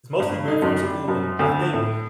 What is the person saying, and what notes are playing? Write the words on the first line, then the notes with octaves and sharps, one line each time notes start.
it's mostly been from school, and I think
G2
D#4
F#2
G3
F#2
D2
A2